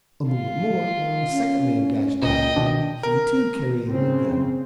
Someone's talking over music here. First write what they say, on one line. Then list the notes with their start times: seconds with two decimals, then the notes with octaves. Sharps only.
A moment more a second man dashed out, he too carrying a gun.
0.28 F4
0.96 D#3
1.31 C#4
2.22 C#2 A#2 D#5 G5
2.56 B2 D#3 D4
3.03 A#4
3.89 C#3 C4